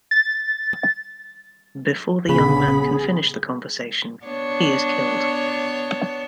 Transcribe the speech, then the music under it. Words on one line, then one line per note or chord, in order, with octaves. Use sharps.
Before the young man can finish the conversation, he is killed.
A6
A#1 C#3 B3 G#4 B5
B3 D4 C#5